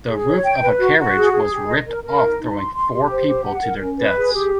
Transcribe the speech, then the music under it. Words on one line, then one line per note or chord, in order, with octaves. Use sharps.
The roof of a carriage was ripped off throwing four people to their deaths.
G#4
C#5
G5
B4
F#4
F#4
G#4
G#4
G4
D#5
A#4
A#4
D#4
D#4
C6
C6
G4
C5
G4
F#5
A#4
C#4
B4
G#4
G4